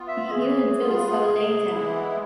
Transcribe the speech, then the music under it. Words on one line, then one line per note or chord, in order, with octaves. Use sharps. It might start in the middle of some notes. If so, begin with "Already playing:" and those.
He would do so later.
Already playing: B3 F4
E5
E3 G#4
B3 F4
C3
E3 G#3 B3 E4